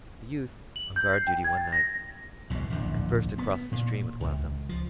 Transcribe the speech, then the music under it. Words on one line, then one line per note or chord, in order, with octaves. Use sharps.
The youth, on guard duty one night, conversed across the stream with one of them.
F#7
G6
C7
G5
G#6
A6
A#6
B1 E2 G#2 B2
D1 A#1 E2 D3
B3
A#2
C#2
F3